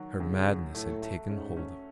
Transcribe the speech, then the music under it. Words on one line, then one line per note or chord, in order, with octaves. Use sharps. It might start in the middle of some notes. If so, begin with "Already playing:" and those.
Her madness had taken hold of her.
Already playing: D#3 F#3
F#2 C#3
F#3
A2 A3
A3
G#2 C#4
C#4